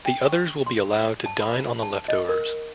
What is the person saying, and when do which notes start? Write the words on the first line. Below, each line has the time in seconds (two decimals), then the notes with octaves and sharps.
The others will be allowed to dine on the leftovers.
0.06 G5
0.28 C#6
0.66 C6
1.26 A5
1.40 B5
1.83 A5
2.08 D#5
2.29 A#4